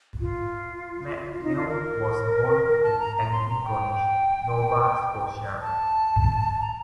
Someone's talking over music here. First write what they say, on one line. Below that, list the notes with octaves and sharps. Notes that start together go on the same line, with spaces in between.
MacNeil was born in Antigonish, Nova Scotia.
F4
F4
D#4
F4
A#4
A#4
A5
A#5
A#5
C6
A#5
G5
A5
A#5